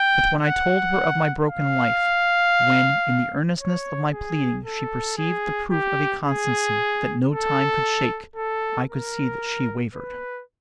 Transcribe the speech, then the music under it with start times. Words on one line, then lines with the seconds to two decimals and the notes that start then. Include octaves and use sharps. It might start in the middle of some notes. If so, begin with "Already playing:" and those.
But when I told her of my broken life--when, in the earnestness of my pleading, she perceived the proof of a constancy that no time could shake, I could see that she wavered.
Already playing: G5
0.41 F#5
1.46 F5
3.59 C#5
4.12 G#4
4.65 A4
5.17 G#4
5.71 G4
6.24 G#4
7.29 A4
8.36 A4
8.89 A#4
9.95 B4